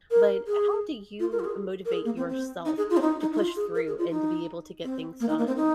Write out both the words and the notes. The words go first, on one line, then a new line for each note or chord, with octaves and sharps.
but how do you motivate yourself to push through and to be able to get things done?
A#4
G#4
F4
A#4
F4
G#4
A#4
G#4
A#3
C4
C4
D#4
G#4
F4
C4
D#4
D#4
D#4
F4
G#4
A#4
G#4
F4
D#4
C4
A#3
D#4
A#3
C4
D#4